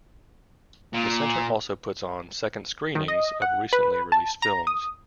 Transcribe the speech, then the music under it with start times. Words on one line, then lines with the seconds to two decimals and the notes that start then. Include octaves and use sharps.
The centre also puts on "second screenings" of recently released films.
0.93 A#2
2.95 D#3
3.08 D#5
3.42 F#5
3.73 B4
4.12 A5
4.42 A#5
4.67 D#6